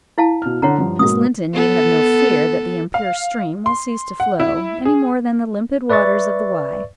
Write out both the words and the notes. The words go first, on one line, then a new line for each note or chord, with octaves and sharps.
Miss Linton need have no fear that the impure stream will cease to flow, any more than the limpid waters of the Wye.
E4 F5 A5
B2 F6
D3 C#5 F#5 A#5
G2 F3
G#2 B2 A#3 D#6
B3 A4
F5
C6
F#5
E4
G#4
B4 D5 E5 C#6 A6